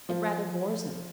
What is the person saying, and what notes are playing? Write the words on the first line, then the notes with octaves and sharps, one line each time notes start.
It rather bores him.
F3